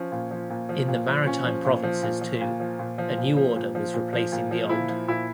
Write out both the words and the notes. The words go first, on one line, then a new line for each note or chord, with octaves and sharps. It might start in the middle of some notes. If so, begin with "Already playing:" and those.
In the maritime provinces too a new order was replacing the old.
Already playing: F3 C#4
A#2
F3
A#2
F3
A#2
F3
A#2 C#4
F3
A#2
F3
A#2
F3
A#2
F3
A#2
F3
A#2
F3
A#2
F3
A#2
F3
A#2
F3
A#2 E4
F3
A#2 E4